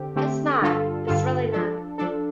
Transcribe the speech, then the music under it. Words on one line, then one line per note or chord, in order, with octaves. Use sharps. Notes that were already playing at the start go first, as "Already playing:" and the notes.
It's not. It's really not.
Already playing: D3 C4 G4
D3 A3 C4 G4
G2 D3 G3 F4 A4
G2 D3 G3 F4 A4
F3 D4 A4
F3 D4 A4